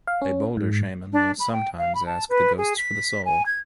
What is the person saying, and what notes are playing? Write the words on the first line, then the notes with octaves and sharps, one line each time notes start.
A bolder shaman will sometimes ask the ghosts for the soul.
F5
C#4
G#2
D4
B5
G5
F5
B5
A5
B4
G#4
B6
G#5
G#6